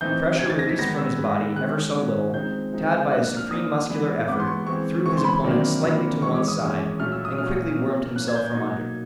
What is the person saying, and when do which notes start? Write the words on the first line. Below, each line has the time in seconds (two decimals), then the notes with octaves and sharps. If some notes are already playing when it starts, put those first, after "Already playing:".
The pressure released from his body, ever so little, Tad by a supreme muscular effort, threw his opponent slightly to one side, and quickly wormed himself from under.
0.01 E3 A3 C4 D#4 G6
0.39 E3 A3 C4 D#4 G#6
0.50 A6
0.59 A#6
0.69 B6
0.78 D#3 G#3 B3 A#6
0.98 E6
1.18 D#3 G#3 B3
1.56 D#3 G#3 C#4 F#6
1.95 D#3 G#3 C#4
2.34 F3 G#3 C4 D#4 G6
2.73 F3 G#3 C4 D#4
3.11 F3 A#3 D4 F#6
3.24 F#6
3.37 F6
3.50 F3 A#3 D4 D#6
3.89 E3 G#3 B3
4.28 E3 G#3 B3 D6
4.40 C6
4.47 C#6
4.67 E3 G#3 C4 C#6
5.05 E3 G#3 C4 C#6
5.17 C6
5.25 B5
5.44 C3 D#3 F#3 A#3 D4
5.83 C3 D#3 F#3 A#3 D4
6.21 E3 G#3 C#4 C#6
6.35 D6
6.48 D#6
6.61 E3 G#3 C#4
7.00 A#2 F#3 A3 C#4 F6
7.12 E6
7.25 D#6
7.38 A#2 F#3 A3 C#4 F6
7.77 F3 A#3 C#4
8.16 F3 A#3 C#4 F#6
8.28 G#6
8.36 G6
8.54 B2 F#3 A#3 D#4 G#6